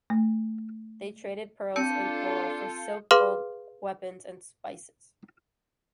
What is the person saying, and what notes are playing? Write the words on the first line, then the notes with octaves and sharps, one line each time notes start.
They traded pearls and coral for silk, gold, weapons and spices.
A3
C4 D4 F4 A4 A5 G6 C#7
G#4 B4 F5 C6 D6 F6